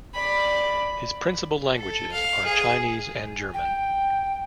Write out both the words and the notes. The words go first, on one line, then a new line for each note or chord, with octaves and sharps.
His principal languages are Chinese and German.
D5 B5
A4
F5
G#4
G5